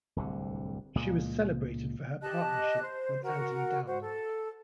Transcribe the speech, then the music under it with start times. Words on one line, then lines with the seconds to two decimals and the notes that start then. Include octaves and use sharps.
She was celebrated for her partnership with Anthony Dowell.
0.16 D1 C2 D3
0.95 C#2 A#2 G#3
2.21 G4 D#5 A5 F#6
2.82 C5
3.24 F#4 A#4 F#5
3.86 F#4 C5
4.01 A4